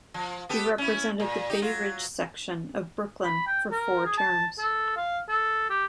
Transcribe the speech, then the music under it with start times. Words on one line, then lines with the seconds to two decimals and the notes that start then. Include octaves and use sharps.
He represented the Bay Ridge section of Brooklyn for four terms.
0.14 F3
0.49 B3 G4 A4
0.78 C#4 E4
1.20 A#2
1.50 D#4 G4
1.62 F#3 F4
3.24 B5
3.47 G5
3.71 A#4
4.05 G#4
4.18 A5
4.58 A4
4.97 F5
5.29 A4
5.70 G4